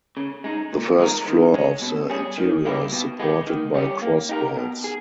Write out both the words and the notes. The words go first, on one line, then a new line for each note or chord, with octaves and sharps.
The first floor of the interior is supported by cross vaults.
C#3
G#3 D#4
A#2
G#3 D#4 A#4
D#3
G#3 C#4
B2
G3 C#4 G#4
D#3
G3 A#3 E4 G4
B2
G#3 B3 G4
D#3
G3 C#4 G4
A#3
D#4 G4 A#4
B2
G#4